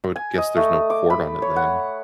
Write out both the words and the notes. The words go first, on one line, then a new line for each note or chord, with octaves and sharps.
I would guess there's no cord on it then,
G#5
D#5
A3
D6
B5
C#5
F#5